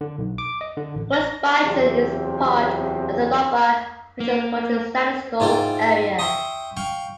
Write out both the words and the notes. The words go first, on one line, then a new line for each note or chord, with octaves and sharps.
Crosbyton is part of the Lubbock Metropolitan Statistical Area.
D3
B1
D6
D#5
D3
A1
A#6
E2 C3 F#3 C4 F4
A#3
G#2 E4 F4 D5 G5
E5 G5 C6 C#6 D#6
F5 G5 C#6